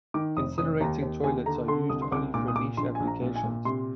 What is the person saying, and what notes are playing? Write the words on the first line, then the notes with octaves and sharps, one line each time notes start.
Incinerating toilets are used only for niche applications.
D#3 D6
F1 D#6
F1 D#6
D#2 A#5
D#2
D#2 G#5
D3 A#5
D3 C6
C2 D#6
C6
C2 D6
A#2 D6
D#6
A#2 D6
A#1 C6
A#1 G#5
A#5
A#2
G#5
A#2
C3 C6